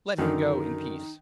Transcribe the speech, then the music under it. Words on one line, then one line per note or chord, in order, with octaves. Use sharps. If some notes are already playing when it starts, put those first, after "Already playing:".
Let him go in peace.'
F#2 D3 D#3 D#4 F#4 A#4